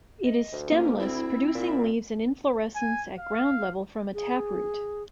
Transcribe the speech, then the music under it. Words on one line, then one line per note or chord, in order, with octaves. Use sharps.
It is stemless, producing leaves and inflorescence at ground level from a taproot.
D#5
D2
A#3 C#4
C4 E4
A#2
G#5
F5
G#4